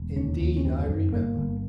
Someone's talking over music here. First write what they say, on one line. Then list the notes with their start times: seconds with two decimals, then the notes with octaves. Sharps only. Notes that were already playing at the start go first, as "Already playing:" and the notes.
"Indeed I remember."
Already playing: E1
0.16 D#2 C#4
0.41 D#2
0.57 C#4
0.65 F#2 C4
0.89 F#2
1.12 G1 A#3
1.37 G1